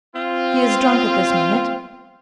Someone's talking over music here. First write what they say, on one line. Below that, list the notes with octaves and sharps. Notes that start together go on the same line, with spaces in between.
She is drunk at this minute.
C4 F4